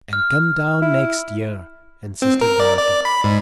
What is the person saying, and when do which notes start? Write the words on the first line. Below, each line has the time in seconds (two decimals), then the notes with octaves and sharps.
"And come down next year," insisted Dorothy.
0.13 F6
0.82 E4
2.22 C4
2.41 A#4
2.60 D5
2.78 D5
3.05 B5
3.24 G#2